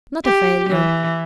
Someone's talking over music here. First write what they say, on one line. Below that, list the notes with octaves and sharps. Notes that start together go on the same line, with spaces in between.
'Not a failure.
G4
E3